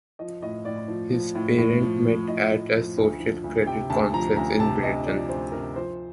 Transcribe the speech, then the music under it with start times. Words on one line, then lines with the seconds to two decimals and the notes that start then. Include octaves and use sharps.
His parents met at a social credit conference in Britain.
0.19 F3 D#5
0.42 A2 D#5
0.65 A2 D5
0.88 F3
1.12 F3
1.35 A2
1.58 A2
1.82 F3
2.05 F3
2.28 A2 D#5
2.52 A2
2.75 F3
2.97 D2
3.20 F3
3.44 D2
3.66 C3 G5
3.90 D2 A5
4.13 F3 A#5
4.36 D2 A#5
4.60 C3 A5
4.83 D2 D#5
5.06 F3 D5
5.29 D2 C5
5.52 C3 A#4
5.76 F3 C5